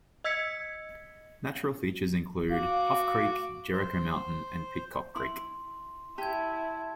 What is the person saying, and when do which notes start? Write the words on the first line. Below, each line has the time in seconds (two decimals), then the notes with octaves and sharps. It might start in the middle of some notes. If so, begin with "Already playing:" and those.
Natural features include Hough Creek, Jericho Mountain, and Pidcock Creek.
0.24 D#5 E6 G#6 B6 C#7
2.50 F#4 F5 D6
3.72 C5
5.16 E4 C6
6.18 E4 G4 A5 G#6